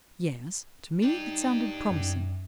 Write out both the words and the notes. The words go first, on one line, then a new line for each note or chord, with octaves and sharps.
"Yes?" To me it sounded promising.
D4 D#4 G4
F#2